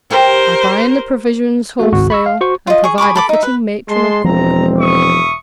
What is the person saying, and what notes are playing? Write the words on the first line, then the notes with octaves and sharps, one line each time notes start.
I buy in the provisions wholesale, and provide a fitting matron or cook.'
G4 A#4 C5
A3 A#3 F#4
G#1 C#2 F#4
B5 C#6 E6
F5
F#4 C5 C#6
F4 D#5
G#4 C#6
G#4 B5 C#6 D6
A4 B5 D6
D#4 E5
B4
G#3 A5 C6
E1 F3 G#3 C4 A#5
E5 C#6 D#6